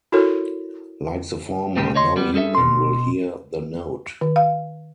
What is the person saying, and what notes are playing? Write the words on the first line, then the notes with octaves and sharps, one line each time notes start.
Like the former, no human will hear the note.
E4 F#4 A4 A#4 C#5
A#2 C#3 G#3 G4
C#5 D#5 C6
G3 B3
G3 G#4 A4 D#5 E5
B2 C6
D#3
F5